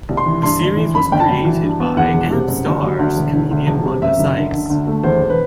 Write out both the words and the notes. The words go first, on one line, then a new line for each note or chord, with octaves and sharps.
The series was created by and stars comedian Wanda Sykes.
C2
C6
E3
G2 C6
G1
E3
F#2 B5
G1 G5
A5
F#3
E3
G2
B3
E2 F#5
E1
C3
F#2
G1
F#3
D2
E1
D3
D2
E1
C3
F#2 E5
F#1
D3
D3
D2
A3
E2 C5
E1
B4